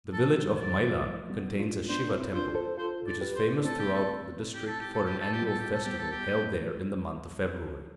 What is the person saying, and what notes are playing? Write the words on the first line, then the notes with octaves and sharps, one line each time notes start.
The village of Mailar contains a Siva temple, which is famous throughout the district for an annual festival held there in the month of February.
F3 A4
E3 G3
D5
E3 G3
F3 A3
G3 B3
D4 F4
C4
B3 D4 C5
C4 E4
D4 F4 C5
A4 C5
F4 A4 C5
D5
G4 B4
C5
D4
A3 C4 A4
G4
A4
G4
A4
G4
A4
G4
A4
G4
G3 B3 A4
G4
A4
G3 B3 G4
A4
G4
A3
B3
A3
B3
F3 A3